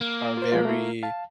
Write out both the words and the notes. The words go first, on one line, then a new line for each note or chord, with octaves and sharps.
are very
A#3
F4 C5
F3 G#3 F4
A3 E4
F5 A5